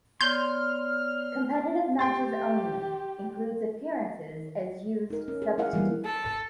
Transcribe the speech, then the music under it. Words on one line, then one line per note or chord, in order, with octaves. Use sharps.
Competitive matches only, includes appearances as used substitute.
B3 C#5 D5 C6 F6 G6
G4 G5 C6 A6
D#4 A#4
C#4
G#4
E4 G#4 A#4 F5 F#5
E3 G3 A#3
A4